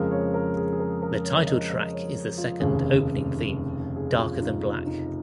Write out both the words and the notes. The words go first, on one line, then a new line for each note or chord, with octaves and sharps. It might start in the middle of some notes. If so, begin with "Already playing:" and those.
The title track is the second opening theme "Darker than Black".
Already playing: F2 C#3 G#3 A#4
C#5
A#4
G#4
G#4
A#4
A#4
C#5
D#5
D#5
C#5
F4
F1 D#2 C#3 G#4
G#4
F4
F4
D#4
F4
D#4